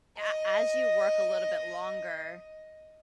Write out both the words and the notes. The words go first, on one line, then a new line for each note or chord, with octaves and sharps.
a as you work a little bit longer,
D#5